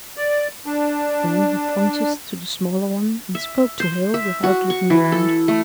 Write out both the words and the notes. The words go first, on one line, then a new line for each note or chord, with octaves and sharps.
Then he pointed to the smaller one and spoke to Hale without looking around.
D5
D4
E5
C5
E5
F#4
C#6
E3
A4
A3